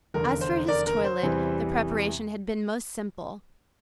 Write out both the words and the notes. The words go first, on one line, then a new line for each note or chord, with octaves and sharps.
As for his toilet, the preparation had been most simple.
F1 E2 D3 A#4
C5
A#4 D5
A#4
C5
E2 C3 E3 G3